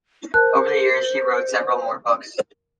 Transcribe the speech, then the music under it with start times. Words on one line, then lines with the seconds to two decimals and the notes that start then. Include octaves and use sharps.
Over the years, she wrote several more books.
0.34 A#4 C5 A5 F#6